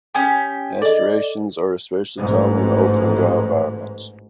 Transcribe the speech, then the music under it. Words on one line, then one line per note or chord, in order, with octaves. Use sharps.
Asteraceans are especially common in open and dry environments.
C#4 G4 D#6
A4 D5 D#5
A1 G#2